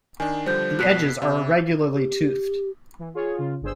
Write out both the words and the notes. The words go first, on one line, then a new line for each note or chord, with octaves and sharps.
The edges are irregularly toothed.
D#3 D4 G#5
D3 F3 G3 C5 G6
F2 B2 F#6 B6 C7
C3 E5
G4
E3
F4 G#4 C#5
C#3 F4
G1 G2 G#4 C5 E6